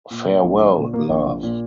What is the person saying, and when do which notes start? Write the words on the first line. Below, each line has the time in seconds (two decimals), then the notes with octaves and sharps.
Farewell Love!
0.10 A#2
0.27 A#3
0.44 A#1
0.60 A#1
0.77 A#2
0.94 A#3
1.10 A#1
1.26 A#1
1.43 A#2